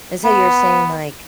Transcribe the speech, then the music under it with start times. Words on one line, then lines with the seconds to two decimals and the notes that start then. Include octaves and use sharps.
And so you're saying, like
0.25 B3